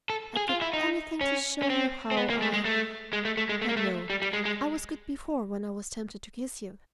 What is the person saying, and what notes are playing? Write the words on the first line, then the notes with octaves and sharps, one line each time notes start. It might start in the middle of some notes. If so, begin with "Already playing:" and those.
I'd give anything to show you how I--but no. I was good before, when I was tempted to kiss you.
A4
G#4
F4
E4
D#4
C#4
C#4
C4
C4
B3
A#3
A3
G#3
A3
G#3
A3
A3
G#3
A3
A#3
A3
G3
G3
G#3
G#3